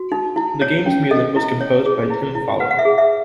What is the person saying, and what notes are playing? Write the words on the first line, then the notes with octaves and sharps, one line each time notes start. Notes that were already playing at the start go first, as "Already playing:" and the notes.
The game's music was composed by Tim Follin.
Already playing: F#4
D#4
E4
C#5
C#4
A4 D#5
E4
C#5
G#4
E4
E4
B4 F#5
F#5
E5
G#4
E5